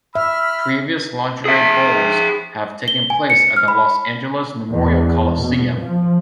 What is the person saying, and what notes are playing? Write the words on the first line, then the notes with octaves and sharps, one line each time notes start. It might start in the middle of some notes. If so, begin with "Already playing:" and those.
Previous Lingerie Bowls have taken place at the Los Angeles Memorial Coliseum.
E5 B5 E6 F6
G#4 E5
G7
G#5
C#7
F6
B5
E2
B2
F3